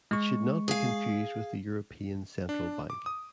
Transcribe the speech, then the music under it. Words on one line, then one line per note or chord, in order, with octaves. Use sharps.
It should not be confused with the European Central Bank.
G#3 C#6
G#4 F5
D4
D6
D#6